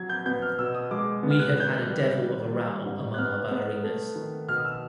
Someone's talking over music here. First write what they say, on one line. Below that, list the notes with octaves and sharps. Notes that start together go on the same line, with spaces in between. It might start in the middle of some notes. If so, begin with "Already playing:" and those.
We have had a devil of a row among our ballerinas.
Already playing: F#3 G#6
G6
B3 G6
F6
B2 E6
D#6
G#3 D6
B3
F6
F#6
D#3 G6
F#6
G3
D#3
G3
G#2
F#6
B3 F6
B3
A3
D#3
B2 F6
D#6
E6